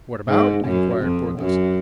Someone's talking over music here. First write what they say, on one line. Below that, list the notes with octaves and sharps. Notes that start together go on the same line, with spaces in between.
"What about?" inquired Porthos.
G#2
F#2
F2
F#2